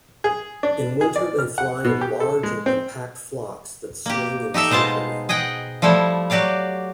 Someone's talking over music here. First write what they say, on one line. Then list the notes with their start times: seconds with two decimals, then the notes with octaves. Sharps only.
In winter they fly in large and compact flocks that swing in synchrony.
0.24 G#4
0.63 D4
1.01 G#4
1.16 D5
1.39 F6
1.58 F#5
1.84 B2
2.01 G4
2.20 A4
2.43 G#3
2.66 C4
4.06 A#3 G4
4.54 D#4 G4 A4 E5
4.70 B2 G#3 C5 F5 A5
5.29 G#4 D#5 F#5 G5
5.82 F3 G3 A3 E4
6.30 F#3 F#4 G4 D5 F5